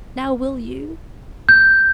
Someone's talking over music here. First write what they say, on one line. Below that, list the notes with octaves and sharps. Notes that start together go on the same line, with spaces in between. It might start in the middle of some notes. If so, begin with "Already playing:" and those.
Now, will you?'
G6